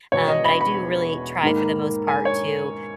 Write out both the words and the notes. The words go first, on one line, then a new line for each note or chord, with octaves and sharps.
Um, but I do really try for the most part to,
E1 E2 B2 C#5
D#5
B5
B5
G#2 D#3 A#3
G#5
C#5